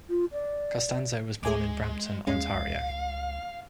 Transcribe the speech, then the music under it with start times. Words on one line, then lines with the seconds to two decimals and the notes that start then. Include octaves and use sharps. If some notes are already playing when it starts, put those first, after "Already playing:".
Costanzo was born in Brampton, Ontario.
0.09 F4
0.32 D5
1.43 D2 G#3 G#4 G#5 D6
2.27 D#2 G#3 C#4 F5
2.54 C#2